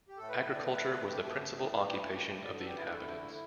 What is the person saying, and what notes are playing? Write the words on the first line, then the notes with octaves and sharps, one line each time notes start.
Agriculture was the principal occupation of the inhabitants.
G4
A2 A3 A4
B4
B4
D5
D3 A3 B4
B2 A3 G4
G4
B3
A2 E3 G3 B3 D4
E4
G4
G4
B2 A3 E4
G4
G4
D3 B3 D5
A4
G4
E4
D3 A3